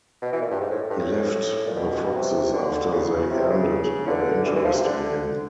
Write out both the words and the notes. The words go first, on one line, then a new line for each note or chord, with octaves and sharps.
He left the Foxes after they ended their interest in him.
B2
E3
A#2
G2
G#2
A2
G2
A2
A#2
B2
C3
D3
C#3
C3
C#3
D3
E3
E3
F3
C3
D3